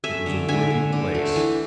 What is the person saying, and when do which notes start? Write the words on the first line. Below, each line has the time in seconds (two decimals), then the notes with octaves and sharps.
It was a worthy place.
0.04 A3 E5 G#5
0.26 D3
0.48 D3 E5 G#5
0.70 D3
0.92 D3
1.14 A3
1.36 E3